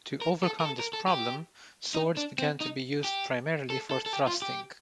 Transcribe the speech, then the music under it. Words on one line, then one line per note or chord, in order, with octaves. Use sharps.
To overcome this problem, swords began to be used primarily for thrusting.
A#4
A4
A#4
A4
A#4
A4
G4
D#4
D4
C4
D#4
G4
A4
A4
A4
G4
F4
G4